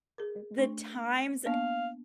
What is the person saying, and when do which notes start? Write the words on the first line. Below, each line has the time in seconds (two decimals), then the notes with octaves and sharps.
the times, eh
0.18 G#4 A#4
0.58 A3 D4 C6
1.46 A#3 B3 D4 F5